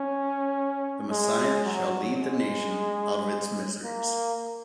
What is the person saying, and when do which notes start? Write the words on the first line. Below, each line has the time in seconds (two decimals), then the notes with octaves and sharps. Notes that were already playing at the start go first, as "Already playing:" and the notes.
The Messiah shall lead the nation out of its miseries.
Already playing: C#4
1.11 G#3
1.66 F#3
2.20 G#3
3.84 A#3